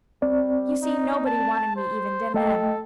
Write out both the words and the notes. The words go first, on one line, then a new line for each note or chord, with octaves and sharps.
You see, nobody wanted me even then.
G3 C4 D5
D#4
A5
C5
A3 A4 D#5 G5